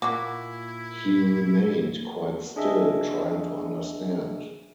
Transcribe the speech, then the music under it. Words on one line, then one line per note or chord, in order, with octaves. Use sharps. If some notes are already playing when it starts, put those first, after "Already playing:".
He remained quite still, trying to understand.
A#2 A#3 E4 F#4 D6
D4 G#4 D#5 E5